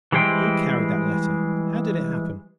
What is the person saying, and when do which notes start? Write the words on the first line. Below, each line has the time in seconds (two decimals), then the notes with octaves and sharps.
"Who carried that letter? How did it happen?"
0.12 E3 G3 G#3 C5 G5